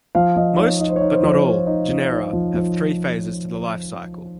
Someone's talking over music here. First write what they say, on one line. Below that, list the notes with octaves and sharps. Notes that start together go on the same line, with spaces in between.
Most, but not all, genera have three phases to the life cycle.
F3 F5
F3 D#5
D#4 C#5
D#4 D#5
C5
D#4 C#5
C5
F3
C5
D#4 C#5
D#4
F3
D#4
F3
F3